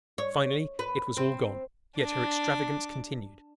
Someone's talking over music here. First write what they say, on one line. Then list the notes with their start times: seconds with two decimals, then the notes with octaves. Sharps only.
Finally, it was all gone, yet her extravagance continued.
0.18 C#5
0.79 B4
1.17 C4
1.98 D4 D6